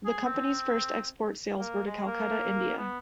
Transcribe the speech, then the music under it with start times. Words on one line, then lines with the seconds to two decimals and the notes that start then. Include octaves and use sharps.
The Company's first export sales were to Calcutta, India.
0.05 G#4
0.25 C4
1.59 A#3
1.86 G#3
2.06 A#3
2.78 B3